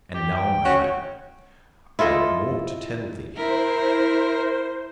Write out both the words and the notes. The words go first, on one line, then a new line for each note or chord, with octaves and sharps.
And now, my lamb, I've more to tell thee.
G4
G5
C#4 F#4 C#5
E4 F4 A4 D#5
E4 A#4 C5